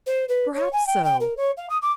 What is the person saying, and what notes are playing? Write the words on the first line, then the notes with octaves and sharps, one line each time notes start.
'Perhaps so.
C5
B4
C#5
G#5
G5
G5
A#4
C#5
F5
D#6
D6